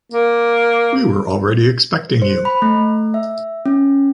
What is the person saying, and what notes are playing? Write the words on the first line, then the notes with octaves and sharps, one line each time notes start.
We were already expecting you.
A#3
C5
B5
A3
E5
C#4